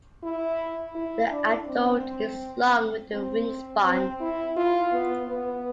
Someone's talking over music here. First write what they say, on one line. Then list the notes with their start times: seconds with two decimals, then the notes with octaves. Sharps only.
The adult is long with a wingspan.
0.23 E4
0.95 E4
1.31 D4
1.68 C4
3.12 C4
3.84 C4
4.21 E4
4.57 F4
4.92 B3
5.29 B3